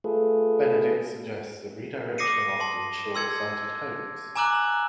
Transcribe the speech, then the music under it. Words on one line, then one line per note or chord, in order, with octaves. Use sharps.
Benedict suggests a redirection of often short-sighted hopes.
A3 F4 G#4 A4 B4
D6 D#6 A#6 C7 C#7 D#7
A5 C6
C6 E6 G#6 C#7
G#5 A#5 D6 E6 F#6 F#7